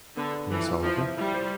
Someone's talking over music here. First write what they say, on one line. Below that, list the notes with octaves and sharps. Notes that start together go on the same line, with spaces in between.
"Yes, Oliver?"
D3 B3
A4
E3 F3
F4
F3 E4
E5
G3 E4
C5